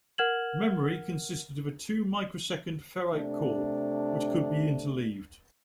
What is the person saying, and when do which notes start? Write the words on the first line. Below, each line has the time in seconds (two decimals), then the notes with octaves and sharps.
Memory consisted of a two-microsecond ferrite core, which could be interleaved.
0.18 A#4 F#5 F6 G#6 E7 F#7
3.11 C3 A3 D4